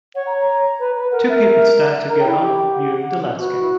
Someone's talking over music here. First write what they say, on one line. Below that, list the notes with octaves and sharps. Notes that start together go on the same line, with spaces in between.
Two people stand together viewing the landscape.
C#5 F#5
A#5
A#5
B4
B4
A#4 F#5
A#4 E5
E5
A#4 A#5
G5
E4
G5
G4
F#5
F#4 B4
B4
E4